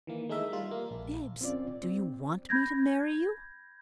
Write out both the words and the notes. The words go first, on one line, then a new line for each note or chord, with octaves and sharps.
"Bibbs, do you want me to marry you?"
D#3 E3 A#3
G#3 A3 D#4 A#4 E5
G3 F4
A#3
A#1
C4 C#4 F4 D5
C4
B5 G6 G#6 A#6